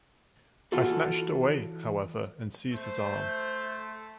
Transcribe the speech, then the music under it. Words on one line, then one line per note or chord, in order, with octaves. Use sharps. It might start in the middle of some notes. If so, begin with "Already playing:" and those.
I snatched it away, however, and seized his arm.
E3 F4 F#4 A4
A3 C5